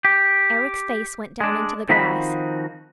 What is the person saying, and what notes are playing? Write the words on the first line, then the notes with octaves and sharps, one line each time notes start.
Eric's face went down into the grass.
G4
G#3 D4
D#3 F3 C4 D#4 F#4 B5